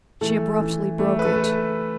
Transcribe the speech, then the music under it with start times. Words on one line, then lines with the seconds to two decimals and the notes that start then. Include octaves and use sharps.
She abruptly broke it.
0.21 E3 A3 A4
0.60 E3
0.99 A3
1.19 B4
1.25 A3 A4